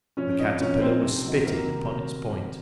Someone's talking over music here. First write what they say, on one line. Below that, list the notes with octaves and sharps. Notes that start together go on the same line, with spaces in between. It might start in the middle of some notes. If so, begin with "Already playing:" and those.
The caterpillar was spitted upon its point.
F3 C#4 C#5
C4 D#4 D#5
F3 C#4 C#5
C4 D#4 C5
C3
D#3 F#3
C3 A#3 A#4